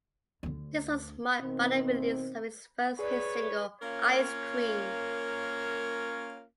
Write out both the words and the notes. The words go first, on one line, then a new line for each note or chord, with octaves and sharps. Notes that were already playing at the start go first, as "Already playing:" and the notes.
This was marked by the release of his first hit single, "Ice Cream".
D2 D3
B2 D#3 C4
G#4 B4 C#5 D5
A#3 C#4 F4 A#4 C#5